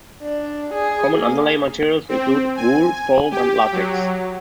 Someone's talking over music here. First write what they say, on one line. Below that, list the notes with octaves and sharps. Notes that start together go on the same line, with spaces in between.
Common underlay materials include: Wool, foam, and latex.
D4
G#4
A#3
C4
G#5
G4
F#3